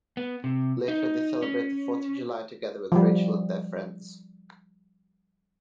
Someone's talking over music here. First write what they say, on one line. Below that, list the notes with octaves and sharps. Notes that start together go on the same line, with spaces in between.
Later they celebrate the Fourth of July together with Rachel and their friends.
B3
C3
D#4
C#4
F3 G3